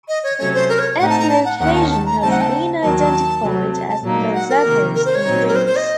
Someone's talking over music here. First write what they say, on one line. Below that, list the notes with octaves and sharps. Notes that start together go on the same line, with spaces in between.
Its location has been identified as Mezapos in Greece.
D#5
C#5
C3 F#3 A3 C#4 C#5
C5
A#4
C#5
A2 A3 C4 D#4 F#5
A5
A#5
A5
F#5
D#2 D#3 A#3 C#4 F#5
A5
A5
A#5
C#3 A3 C4 D#4 A5
F#5
A5
D#2 D#3 F#3 A#3 A5
C3 F#3 A3 C4
A5
A5
A#2 F#3 A#3 D#4
F#5
A#4
C3 D#3 A#3
A#4
C5
C#5
A#2 F#3 C4 D#4
A#4
C5
C5
D#5